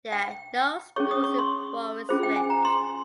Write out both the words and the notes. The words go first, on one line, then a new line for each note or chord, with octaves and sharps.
There are no schools in Forest Ridge.
G5
C#4 G#4 C#5 C#6
D#6
C#6
C6
C#4 F4 G#4 C5
G5
G#5
A#5
C6